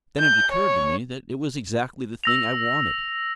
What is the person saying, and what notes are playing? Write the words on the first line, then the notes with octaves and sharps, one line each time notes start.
Then it occurred to me that it was exactly the thing I wanted.
G6
C#5
E6 A#6 F7